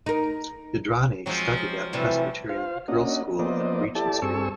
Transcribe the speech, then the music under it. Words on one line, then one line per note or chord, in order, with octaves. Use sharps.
Indrani studied at Presbyterian Girls School in Regent Street.
D#4 A#4
F3 F#3 G#3 C4
C3 E3 G3 A3
F4 C5 F5
A#3 C#4 D4 F#4 D#5
F3 A#3 B3 C5 D5 D#5
E4 G4 A4 D5 A5
G2 C4 G#4 A4 C#6 E6